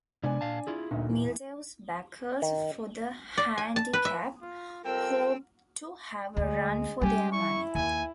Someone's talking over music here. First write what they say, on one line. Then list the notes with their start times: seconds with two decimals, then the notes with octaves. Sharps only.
Mildew's backers for the Handicap hoped to have a run for their money.
0.23 C3 G#3 B3 D4 D5 G#5
0.41 A#2 F5 A5
0.67 E4 F4 G#4
0.91 G1 D2 A#2 D#4
1.09 E2 E3
2.42 D#3
3.38 D5
3.58 G#5
3.76 A5
3.93 B4
4.05 E5
4.42 F4
4.85 G3 C4 F4 A4 A#4 G5 E6
6.37 D2 G#3
7.01 G3 C#4 G4 G#5
7.32 E4 C#6
7.75 D#2 G#5